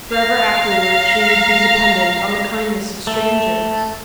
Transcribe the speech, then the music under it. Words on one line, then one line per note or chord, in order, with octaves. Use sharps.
Forever afterward she would be dependent on the kindness of strangers.
F5 A#5
A3